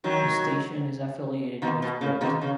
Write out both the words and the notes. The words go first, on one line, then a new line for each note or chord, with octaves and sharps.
The station is affiliated with Grit.
D#3 F#3
B2 D#3
B2
C#3
B2 D#3
C#3